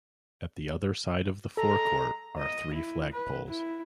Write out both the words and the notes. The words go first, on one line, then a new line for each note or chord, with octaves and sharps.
At the other side of the forecourt are three flagpoles.
G#3 A4 A#5
D#5
E4
B4
E4